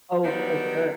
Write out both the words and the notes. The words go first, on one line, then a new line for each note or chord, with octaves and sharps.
Oh, for sure.
D#3 F#3 G3 B3 D4